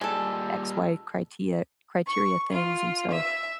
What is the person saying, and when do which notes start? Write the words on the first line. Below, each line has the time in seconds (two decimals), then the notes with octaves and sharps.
X-Y criteria- criteria things and so
0.01 A#2 G3 G#3 A4
2.08 C#6
2.52 F4
3.12 E5